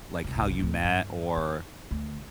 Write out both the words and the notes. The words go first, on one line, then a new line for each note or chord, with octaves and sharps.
like how you met or
F#1 C2
D2 A2
G2
D#4
D2